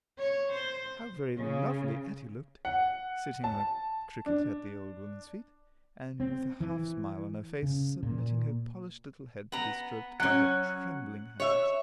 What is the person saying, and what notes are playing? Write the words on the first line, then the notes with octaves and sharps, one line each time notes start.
How very lovely Etty looked, sitting on a cricket at the old woman's feet, and, with a half smile on her face, submitting her polished little head to be stroked by her trembling hands!
C#5
C5
C#3
F#5
A5
D4
C4
E3
C#3
A#2
B3 A#5
F#3 C#4 F#5
C#5 E5